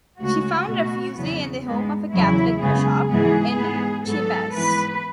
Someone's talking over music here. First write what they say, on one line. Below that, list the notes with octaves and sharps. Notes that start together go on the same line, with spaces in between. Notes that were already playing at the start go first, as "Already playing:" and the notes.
She found refuge in the home of a Catholic bishop in Chiapas.
D2 C#3 G#3 F#4
B2 A3 F#4
E2 C#3 F#3 B3
G#2 G#3 B3
E2 C#3 F#3 E4
F#2 C#3 G#3 B3 G#4
G#2 E3 G#3 B3 G#4
G#2 G#3 B3
G#2 F#3 B3 A4
G#2 E3 B3 B4